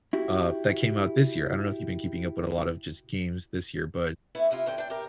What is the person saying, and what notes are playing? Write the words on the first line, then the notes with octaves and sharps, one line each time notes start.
uh, that came out this year I don't know if you've been keeping up with a lot of just games this year, but,
E4 F#4 G4
A3 B3 E4 B4
C3 E4 F4
D2 D3 G5
D4 G5
G4 A#4